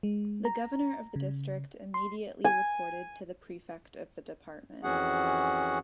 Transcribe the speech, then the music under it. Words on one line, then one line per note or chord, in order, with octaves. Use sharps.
The governor of the district immediately reported to the prefect of the department.
G#3
A#5
C#3
C6
G#5
F2 E3 C#4 F#4 G#4 F#5